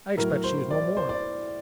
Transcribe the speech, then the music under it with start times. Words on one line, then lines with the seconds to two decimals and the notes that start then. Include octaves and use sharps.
"I expect she is no more."
0.17 A2 F#3 A#4
0.44 C5
0.71 D5
0.97 C5
1.09 D5